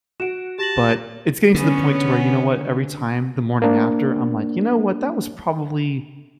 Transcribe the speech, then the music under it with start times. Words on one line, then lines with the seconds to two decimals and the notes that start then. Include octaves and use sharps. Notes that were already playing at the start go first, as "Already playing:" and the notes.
but it's getting to the point to where, you know what, every time the morning after, I'm like, "You know what, that was probably
0.20 F#4 D7 E7
0.59 G4 A5 A#6 F#7
1.54 D3 B3 C#4
3.62 A#3 D4